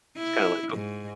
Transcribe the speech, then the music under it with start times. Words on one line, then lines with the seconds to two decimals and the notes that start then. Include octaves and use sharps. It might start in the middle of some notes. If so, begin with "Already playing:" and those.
it's kind of like oh
0.17 E4
0.73 G#2